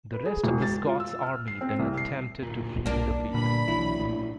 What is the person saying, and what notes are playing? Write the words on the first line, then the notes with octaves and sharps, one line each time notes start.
The rest of the Scots army then attempted to flee the field.
B4
G#4
E1
A6
F4
E6
F6
C7
C4
C2
C7
D1 A#2
B1 A#3 D4
G2 A#2 D3 B5
B1 E3 F#3 E4
A#1 A2